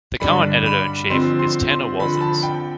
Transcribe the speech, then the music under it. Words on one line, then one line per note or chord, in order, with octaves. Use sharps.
The current editor in chief is Tanner Walters.
G2 D3 G3 D4 B5
B5
D3 F3 C4 C6
C6
C6
D3 F3 C4 B5
B5
A5
G5